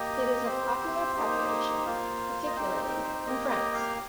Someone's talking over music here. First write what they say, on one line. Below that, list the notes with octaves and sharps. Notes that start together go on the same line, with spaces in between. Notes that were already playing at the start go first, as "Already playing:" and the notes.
It is a popular preparation, particularly in France.
Already playing: A#3 G4 D#5
C4 G4 C5
A#3 D#4 G4
A#3 F4
D#5
C4 D#4 G4 C5
C5
A#3 G4 D#5
D#5
F5